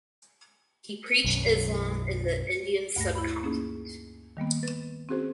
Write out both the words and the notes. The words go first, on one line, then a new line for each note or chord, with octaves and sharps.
He preached Islam in the Indian subcontinent.
B1 F#2
D2 G2 A3 A#6
E4 B5
A#3 C#4 D#4 G#4
D#3 G3 A#3 B3
B4 A6
C4 C#4 F#4 G#4 C5